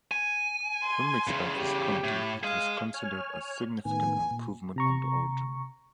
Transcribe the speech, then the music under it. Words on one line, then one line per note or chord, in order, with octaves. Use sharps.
Remixed by Visconti, it was considered a significant improvement on the original.
G#5
C6
E2 C#3
G4
A2
G#4 D#5 F5
C#5 G#5 F6
A2 D#3 B3 G#5
A#2
C3 A#5 C#6